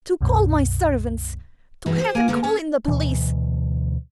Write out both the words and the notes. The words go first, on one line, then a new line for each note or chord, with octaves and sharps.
"To call my servants--to have them call in the police."
C2 F#2 B2
G2 B2 E3 F#3 G#3 B3
G4 C5
A#3 A#4 G#5
D3 G#3 A#3 B3 A4 A#4
C#4 C#5
D2 B2 E3